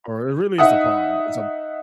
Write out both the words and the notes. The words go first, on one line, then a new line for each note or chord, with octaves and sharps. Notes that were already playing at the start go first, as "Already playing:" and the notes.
or really it's a pond it's a
D#4 E5 F#5 D#6